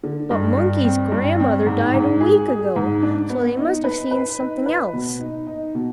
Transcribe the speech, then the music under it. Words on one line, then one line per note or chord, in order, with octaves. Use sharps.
But Monkey's grandmother died a week ago, so they must have seen something else.
D3
G2
G2
C4
G2
C4
G#2
G#2
G#4
G#4
G#2
D4
B3
D#4
B4
B4
D#4
B4
B2
D#4
D#4
B2